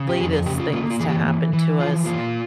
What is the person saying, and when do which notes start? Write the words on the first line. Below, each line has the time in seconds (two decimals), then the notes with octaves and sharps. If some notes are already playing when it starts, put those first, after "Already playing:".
latest things to happen to us,
Already playing: C#3
0.09 G4
0.20 F2 G#4
0.33 A#4
0.46 C#3 G4
0.60 F4
0.73 A#3 F4
0.90 F4
1.00 E3 G#4
1.09 G4
1.26 E3
1.53 E3
1.79 F3 F4
2.06 A#3 F4